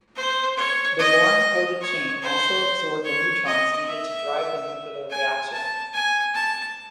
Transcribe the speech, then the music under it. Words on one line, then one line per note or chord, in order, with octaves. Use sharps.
The boron-coated chain also absorbed the neutrons needed to drive the nuclear reaction.
C5
C#5
D#5
C#5
C5
C#5
D#5
E5
G#5
A5
G#5
A5